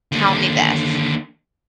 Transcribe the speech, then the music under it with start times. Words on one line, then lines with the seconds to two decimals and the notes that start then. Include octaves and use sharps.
tell me this."
0.12 D#2 D3